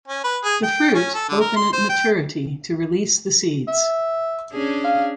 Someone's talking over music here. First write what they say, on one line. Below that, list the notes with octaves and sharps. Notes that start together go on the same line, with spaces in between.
The fruit open at maturity to release the seeds.
C#4
B4
G#4
G5
C#4
A4
D3
A#4
C6
C5
G5
E5
C#4 D4 G#4
F5